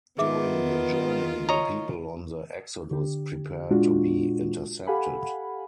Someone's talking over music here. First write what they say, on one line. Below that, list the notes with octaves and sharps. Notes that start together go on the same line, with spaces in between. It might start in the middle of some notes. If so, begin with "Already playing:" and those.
During the journey, the people on the "Exodus" prepared to be intercepted.
D#3 B3 F4 G#4 E5 D6
C#5 D#5 A#5
D3 G4
A#2 G#3 D4 F4 F#4
G4 A4 F5 F#5 G#5 B5